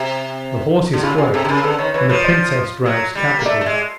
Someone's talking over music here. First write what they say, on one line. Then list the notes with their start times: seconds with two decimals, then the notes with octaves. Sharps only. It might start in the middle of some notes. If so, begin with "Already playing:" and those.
"The horse is quiet, and the princess drives capitally."
Already playing: C3
0.93 D3
1.03 C#3 F4 G4
1.18 C#3 F#4 G#4
1.33 C3 G4 A4
1.45 D3
1.49 C#3 G#4 A#4
1.63 D3 A4 B4
1.79 D#3 B4 C#5
1.94 E3 B4 C#5
2.09 F3 B4 C#5
2.24 C5 D5
2.86 F#3
3.15 G3
3.39 A#3
3.45 A3 D5 E5
3.61 A3
3.66 G#3